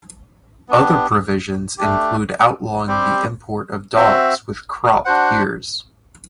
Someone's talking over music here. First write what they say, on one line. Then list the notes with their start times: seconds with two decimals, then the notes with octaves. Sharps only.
Other provisions include outlawing the import of dogs with "cropped" ears.
0.69 B3 D4 G4
1.78 A3 D4 G4
2.87 G3 C4 G4 C5
3.96 C4 F#4 C5 E5
5.05 D4 F#4 C5 F#5